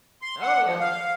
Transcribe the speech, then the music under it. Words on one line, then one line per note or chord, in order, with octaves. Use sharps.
Oh, yeah.
C6
F#5
F3
F5